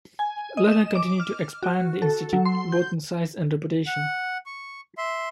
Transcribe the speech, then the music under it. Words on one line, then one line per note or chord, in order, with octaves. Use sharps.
Lerner continued to expand the institute, both in size and reputation.
G#5
D#5
E7
D6
F6
F#4
A4
F#3
C6
G6
F#5
C#6
E5 C6